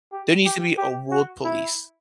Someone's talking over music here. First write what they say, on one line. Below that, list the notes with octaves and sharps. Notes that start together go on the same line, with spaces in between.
There needs to be a world police.
G4
G4
G4
F#4
E4